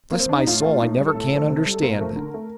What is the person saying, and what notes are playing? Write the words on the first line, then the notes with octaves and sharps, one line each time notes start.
"Bless my soul, I never can understand it!"
A#3
C4
D4
D#4
A2 F4
A3
A2 D#4
G3
A4
A2
F3 A3
C3
G3
A4
A#2 A#4
F3 A3
D3
A3